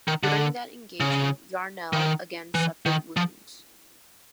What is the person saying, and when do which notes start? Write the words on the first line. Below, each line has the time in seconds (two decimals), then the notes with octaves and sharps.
During that engagement, Yarnall again suffered wounds.
0.08 D#3
0.23 D3
1.00 C#3
1.93 D#3
2.55 E3
2.86 D#3
3.17 F3